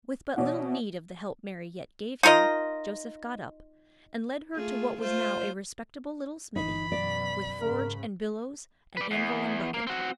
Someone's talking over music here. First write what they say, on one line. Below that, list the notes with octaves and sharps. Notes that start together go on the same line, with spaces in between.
With but little need of the help Mary yet gave him, Joseph got up, and led her to what was now a respectable little smithy, with forge and bellows and anvil and bucket.
B2 E3 E4 C#5 D5 F#5
D#4 F4 A#4 D#5
A3 F4 G#4
A3 F4 C5
G1 E3 D#4 B5
F#2 B2 D5
G#2 C#3 A#4
B4 D5
E2
A#3
C4 F#4